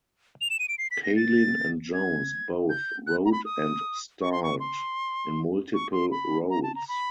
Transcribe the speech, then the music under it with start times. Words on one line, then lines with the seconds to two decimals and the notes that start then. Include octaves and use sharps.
Palin and Jones both wrote and starred in multiple roles.
0.41 F7
0.50 E7
0.60 D#7
0.69 D7
0.78 C7
0.91 B6
1.04 A#6
1.16 A6
1.94 G#6
2.70 G6
3.07 F#6
3.26 A#5
3.32 B5
3.45 D#6
4.22 C#6
4.32 C6
4.43 C#6
4.60 C6
5.74 C#6
5.92 C6
6.11 B5
6.50 A#5
6.63 A5
6.75 A#5
6.88 B5